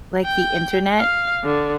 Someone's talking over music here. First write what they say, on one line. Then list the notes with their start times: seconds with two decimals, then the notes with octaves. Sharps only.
like, the Internet
0.24 G5
0.99 F5
1.43 D3